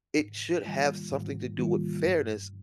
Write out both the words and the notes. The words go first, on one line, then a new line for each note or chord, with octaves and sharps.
it should have something to do with fairness
G#2
D#3 G3 A#3 F4
G#2
D#3 G3 A#3 F4
G2